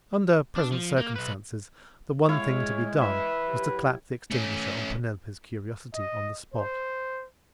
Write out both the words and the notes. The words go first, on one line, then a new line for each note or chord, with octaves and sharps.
Under present circumstances, the one thing to be done was to clap the extinguisher upon Penelope's curiosity on the spot.
D4
F3
A#3
B1 B4
G#3 E4 C#5 F5
B4 E5
F#3 G4
A3 C#4
D#5
C5